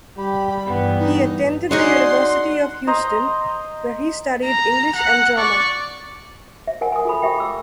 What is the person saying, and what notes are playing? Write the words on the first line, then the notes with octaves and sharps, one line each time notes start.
He attended the University of Houston, where he studied English and drama.
G3 G4 B5
G2 E3 B3
D#4
D4 D#4 F#4 G#4 C#5 D5 F#5 C6
C5 D#5 A#5
A#5
F#5
D5 C#6
E5
A#4 F#5 G#5
G#5 D#6
F4 A4 B5
G4 E5 G5
D6 E6